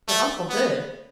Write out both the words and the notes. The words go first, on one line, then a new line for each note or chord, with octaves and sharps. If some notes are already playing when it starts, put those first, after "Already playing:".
"They're awful good."
A3
B3